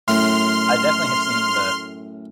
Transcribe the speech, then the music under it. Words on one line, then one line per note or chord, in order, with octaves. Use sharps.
I definitely have seen the
F#2 A2 C6 F6